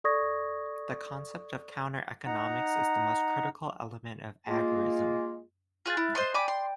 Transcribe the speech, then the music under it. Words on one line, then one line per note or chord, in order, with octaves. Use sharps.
The concept of counter-economics is the most critical element of agorism.
A4 D5 C#6 D#6 G#6 A#6
D#4 F#5 A#5
G#3 A#3 F4
F4 G#4 F6 F#6 A6
E4 F#6
C5 D#5 C6
D5 G5 G#5 B5 D6
G5 C6